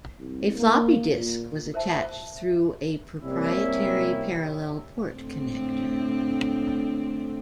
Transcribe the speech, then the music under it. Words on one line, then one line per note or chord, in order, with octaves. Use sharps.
A floppy disk was attached through a proprietary parallel port connector.
C2
A#3
A#2
A#4 C5 E5 A5
C3 G3 A#3 C#4 E4
A2 D3 C4